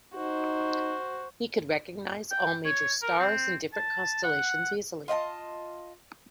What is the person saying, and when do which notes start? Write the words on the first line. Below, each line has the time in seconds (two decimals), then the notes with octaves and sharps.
He could recognise all major stars and different constellations easily.
0.14 D#4 F#4 C5
2.31 G5
2.65 C#5
3.02 A#4
3.19 C4
3.73 A5
4.24 F#5
5.08 F4 D#5 F5 A5